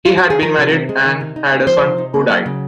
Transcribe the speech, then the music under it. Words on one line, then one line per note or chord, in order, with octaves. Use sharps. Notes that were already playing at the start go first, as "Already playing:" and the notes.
He had been married and had a son, who died.
F4
F#4
G#4
F3 A#4
C3
C4
G#3
D#3
C3
D#4
A#3
F3 C5
C3
D#4
A#3
F#3
C#3